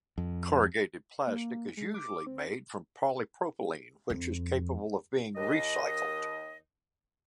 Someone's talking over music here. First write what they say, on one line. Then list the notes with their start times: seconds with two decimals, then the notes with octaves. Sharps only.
Corrugated plastic is usually made from polypropylene which is capable of being recycled.
0.18 F2
1.27 A#3
1.77 G#3
1.94 D6
2.26 C4
4.10 F2
5.36 D#2 D#5